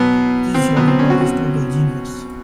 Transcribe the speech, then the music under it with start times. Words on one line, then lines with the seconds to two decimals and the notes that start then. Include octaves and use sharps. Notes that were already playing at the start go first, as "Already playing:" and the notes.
This young boy is a total genius.
Already playing: B2 F#3 B3
0.54 C4
0.76 B2 F#3 B3
0.87 C4
0.99 C#4
1.10 F#4
1.21 F#4